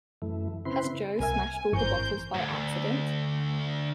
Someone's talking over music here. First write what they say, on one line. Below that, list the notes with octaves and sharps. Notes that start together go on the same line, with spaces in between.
Has Jo smashed all the bottles by accident?
F#2 E3 A3
C#3 C4 E4 B4 C6
C2 A#4 E5 G#5
G#1 G2 E3 A#4 C5 C#6 G6
D2 G#2